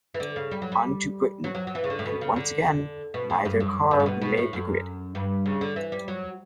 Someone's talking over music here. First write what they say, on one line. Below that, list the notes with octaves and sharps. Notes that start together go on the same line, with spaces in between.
On to Britain and once again neither car made the grid.
E3
D3
C#3
G3
F#3
G3
F#3
F#3
F#3
E3
C#3
D3
A2
B2
C#3
D3
B2
A2
G2
F#2
G2
A2
B2
B2
A2
F#2
G2
C#3
D3
E3
G3
F#3